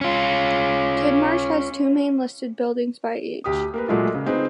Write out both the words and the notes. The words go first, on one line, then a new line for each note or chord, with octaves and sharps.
Tidmarsh has two main listed buildings by age.
C#4 F4
D2 G4 D#6
A#3 A#4 B4
A#2 F#3 G#3 A3 F4
C#3
C4 D#4 G#4 B4